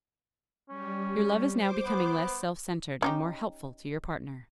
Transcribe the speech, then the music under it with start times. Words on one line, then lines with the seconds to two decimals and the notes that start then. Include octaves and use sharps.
Your love is now becoming less self-centered and more helpful to your partner.
0.69 G3 C#4
1.52 C5 D6
1.85 B3
3.02 C#4 D#4 G4